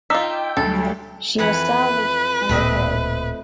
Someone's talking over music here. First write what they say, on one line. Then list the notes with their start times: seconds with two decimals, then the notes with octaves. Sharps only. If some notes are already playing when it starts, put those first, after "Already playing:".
She was salvaged and repaired.
0.10 D#4 F4 G5 D6 E6 B6
0.57 D2 F#3 G3 A3 A4
1.38 F2 E3 B4 F#5
2.49 D1 A#2 A3 C4 D#5